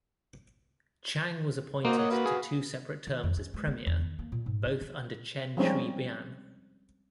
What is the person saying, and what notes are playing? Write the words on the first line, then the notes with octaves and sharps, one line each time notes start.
Chang was appointed to two separate terms as Premier, both under Chen Shui-bian.
A#3 F#4 C5 D#5
C#5 D#5 F#5
F#4 B4 F5
G#4
D#3
F2
C#4
G#3
B3
E2
D#3
A#3
A#2
G#2
D#4
D3
F3 G3 G#3 C4 C#4 D#4